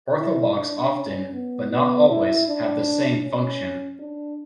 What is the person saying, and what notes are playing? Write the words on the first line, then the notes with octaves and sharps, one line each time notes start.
Orthologs often, but not always, have the same function.
E4
D4
C#4
B3
B3
E4
D4
C#4
D4